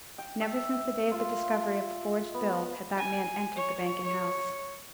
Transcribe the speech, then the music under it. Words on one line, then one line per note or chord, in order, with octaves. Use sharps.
Never since the day of the discovery of the forged bills had that man entered the banking-house.
G5
E5
F4
B3
G#5
C#5
C#5